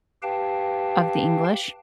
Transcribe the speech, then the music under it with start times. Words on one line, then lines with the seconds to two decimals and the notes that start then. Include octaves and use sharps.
of the English.
0.22 G4 B4 F5 G5 A5